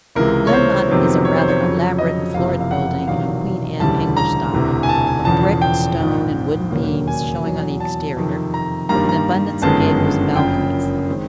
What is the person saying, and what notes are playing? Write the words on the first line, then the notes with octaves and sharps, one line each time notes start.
Glenmont is a rather elaborate and florid building in Queen Anne English style, of brick, stone, and wooden beams showing on the exterior, with an abundance of gables and balconies.
C#2 C3 E3 G#3 A#4
C#5
C5
F2 C3 D#3 F#3 B3
C#5
C5
C#5
F2 C#3 F#3
D#5
F#1 F2 C3 E3 F5
F5
F#5
E1 E2 C3 D#3 F#3 F5
E1 D2 C#3 E3 G3 A5
A#5
E1 D2 C3 E3
G#5
A5
G#5
E1 E2 C#3 F3 A5
G5
A#1 G#2 F3
E1 D#2 C#3 F#3 A#3
G#5
E2 B2 F#3
A5
F2 C3 D#3
A#5
G2 D#3 G3 A#3 A#5
A#5
G1 F#2 D#3 G#3 B3 A5
F#1 F#2 C#3 F3 G5
D#3 G#3 C4